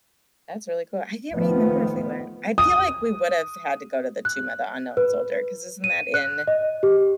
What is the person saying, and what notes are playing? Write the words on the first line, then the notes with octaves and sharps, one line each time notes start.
That's really cool, I can't remember if we went I feel like we would've had to go to the Tomb of the Unknown Soldier 'cause isn't that in
D#3 F3 A3 B3
D#6
F#6
B4
D#7
F#6
D#5
G4